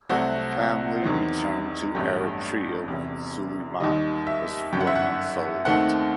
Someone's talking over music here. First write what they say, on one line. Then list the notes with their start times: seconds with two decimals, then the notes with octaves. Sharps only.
The family returned to Eritrea when Sulieman was four months old.
0.09 C2 C3 F#3 A3 C4 F#4
1.02 E2 D#3 F#3 C4
1.95 A1 G2 F#3 A3 G4
2.87 E1 E2 C3
3.80 D#2 D#3 G3 D#5
4.27 E5
4.72 G1 F#2 F#3 G5
4.80 F#5
4.87 E5
4.95 F#5
5.65 D#2 D#3 A3 C4 F#5